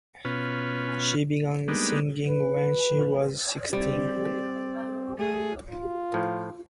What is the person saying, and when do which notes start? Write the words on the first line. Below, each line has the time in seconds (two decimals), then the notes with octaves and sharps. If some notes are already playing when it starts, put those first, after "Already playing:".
She began singing when she was sixteen.
0.25 B2 C#4 F4 B4
1.68 G3 G#3 A#3 B3 D4 D#4
2.29 B4
3.73 G3 C4 D5
5.17 A3 G#4
5.70 F4
6.14 A2 F3